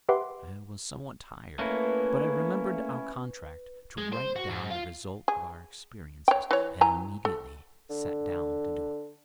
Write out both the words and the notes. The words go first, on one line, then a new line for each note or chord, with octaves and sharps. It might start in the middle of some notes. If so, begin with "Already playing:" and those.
I was somewhat tired, but I remembered our contract to write down the result of our experiences, and immediately sat down to do it.
G4 B4 E5 F#5 C6 D6
A3 A#3 C#4 E4 B4
G#3
C5
F#4
G#2
F4
G#4
C#5 G5
E3 C#5
E4 G#5 A#5
A4
D3